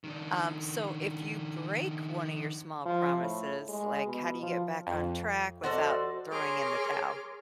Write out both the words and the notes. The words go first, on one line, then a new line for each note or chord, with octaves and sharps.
Um, so if you break one of your small promises, like, how do you get back on track without throwing in the towel?
D#3 D4
F3
A2
G#3
B2
F3
F2
F#4 A4 C5 D5 D#5
G#4 A#4 C#5 C6 D6 F6